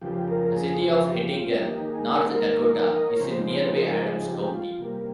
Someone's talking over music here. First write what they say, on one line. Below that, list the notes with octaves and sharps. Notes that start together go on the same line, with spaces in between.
The "city" of Hettinger, North Dakota, is in nearby Adams County.
F2 C#3 F3 G4
A#4
G#4
C5
G4
F4
D#3 A#3 D#4 G4
G#4
A#4
C5
A#4
D#5
C#5
C#3 F3 C4 D#4 C5
C5
A#4
G#4
A#4
G#4
G4
F4
C3 G3 A#3